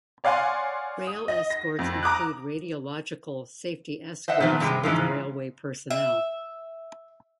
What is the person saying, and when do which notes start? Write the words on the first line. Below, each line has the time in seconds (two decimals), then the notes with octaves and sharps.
Rail escorts include radiological safety escorts with railway personnel.
0.24 C#5 D5 F5 F#5 G#5 C6
1.07 D#6
1.28 D#5
1.50 A#6
1.79 F2
2.03 A#5 D6 D#6 F#6
4.28 C5 D#5 E5 F#5
4.40 A#2 D#3 F3 B3
4.60 G2 C3 G#3
4.83 G#2 C#3 E3 F3
5.90 E5